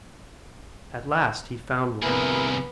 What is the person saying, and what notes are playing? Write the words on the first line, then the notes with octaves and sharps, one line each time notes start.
At last he found one.
D2 G2 C3 B3 E4 G#4 A#4